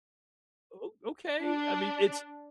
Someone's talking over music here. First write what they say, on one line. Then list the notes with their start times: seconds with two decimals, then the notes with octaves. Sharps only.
o okay, I mean, it's,
1.41 D4